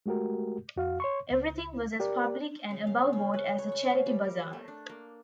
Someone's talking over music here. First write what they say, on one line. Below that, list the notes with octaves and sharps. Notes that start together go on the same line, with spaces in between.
Everything was as public and above-board as a charity bazaar.
G#3 A3 F#4 G4 A#4
F2 F#4 F5
C#5 C6 C#6
C#2
G4 A#4 D5
C#3
F5
C#4
B4
C#5
C#5
F5
G3
A#4
A3
D4
A#3